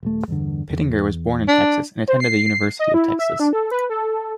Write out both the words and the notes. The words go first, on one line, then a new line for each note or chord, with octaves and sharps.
Pittenger was born in Texas and attended the University of Texas.
D#1 A3
E2 G2 D3
E2
D4
C5
C7
D#5
E4
E5
D4
A4
B4
A4